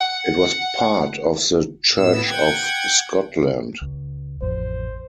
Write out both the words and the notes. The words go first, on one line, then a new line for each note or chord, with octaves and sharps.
It was part of the Church of Scotland.
F#5
A2 B3 E6
F#5 G5 G#6
C#2
A1 F2 C5